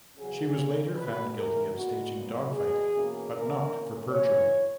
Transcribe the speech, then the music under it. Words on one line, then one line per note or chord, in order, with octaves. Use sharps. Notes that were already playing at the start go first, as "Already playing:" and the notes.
She was later found guilty of staging dogfighting but not for perjury.
E2 C#3 F#3 C#4 G#4
A#2 A#3 C#4
B2 G#3 B3 B4
E2 C#3 E3 A#4
A#2 G#3 B3 F#4
A#2 F#3 B3
E2 B2 G#3 G#4
E2 B2 A#3 C#4
E2 C#3 E3 A#4
A#2 A#3 C#4
C#3 E3 G#3 C#5